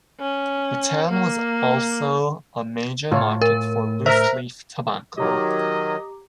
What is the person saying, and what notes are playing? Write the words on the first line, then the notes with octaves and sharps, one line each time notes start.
The town was also a major market for loose-leaf tobacco.
C#4
A#3
A2 F4 C#5
A#4
A#4 C5 E5
D#3 F#3 G4 D#5 A#5 D6